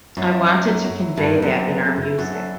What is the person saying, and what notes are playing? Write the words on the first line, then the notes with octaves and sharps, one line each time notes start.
I wanted to convey that in our music.
F#2 F#3
E4
F#3
F#3
F#3
E4
G2 E4
B3
F#2
B3
B3
A4
E4
F#2 F#4
A4